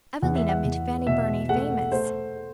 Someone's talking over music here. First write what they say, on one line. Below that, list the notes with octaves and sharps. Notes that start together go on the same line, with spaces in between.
"Evelina" made Fanny Burney famous.
E2 F#5
E5
F#5
E2
B2 E5
A3 F#5
A3 C5